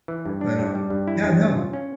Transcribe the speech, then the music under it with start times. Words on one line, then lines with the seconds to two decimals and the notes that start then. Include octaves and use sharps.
but, um Yeah, no
0.08 E3
0.26 G2
0.41 D4
0.59 G2
0.75 G3
0.90 G2
1.08 E4
1.24 G2
1.41 C#4
1.57 F4
1.73 C#4